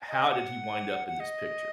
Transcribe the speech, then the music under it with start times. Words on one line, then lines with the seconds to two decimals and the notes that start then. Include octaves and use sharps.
"How did he wind up in this picture?"
0.09 D#5
0.31 F#5
1.08 F#5
1.20 D#5